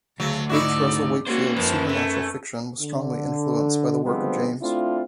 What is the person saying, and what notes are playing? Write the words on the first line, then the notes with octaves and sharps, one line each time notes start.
H. Russell Wakefield's supernatural fiction was strongly influenced by the work of James.
D2 C#3 F#3
G#2 D#4 E4 F#4 D5
A#3 C#4 F#4 C5
F#2 F3 B4
A3
D3
D3 F3 G3 G#3 B3 C4
A3 C4 D4 E4 F4